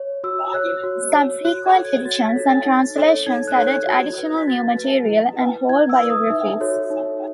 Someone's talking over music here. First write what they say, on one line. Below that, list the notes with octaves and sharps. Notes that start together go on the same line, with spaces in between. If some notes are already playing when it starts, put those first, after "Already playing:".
Subsequent editions and translations added additional new material and whole biographies.
Already playing: C#5
F#4 E6
C#5 F#6
F#4
C#5
F#4 F#6
G#6
A4 C#5
G#6
F#4 A6
B6
A4 C#5
A6
D#4
A4 C#5
D#4 G#6
F#6
A4 C#5
F#6
F#4 G#6
B4
B6
F#4 A6
B4
E4
B4
E4 G#6
E6
B4
D#6
D#4 E5
F#4 A4 C#5
D#4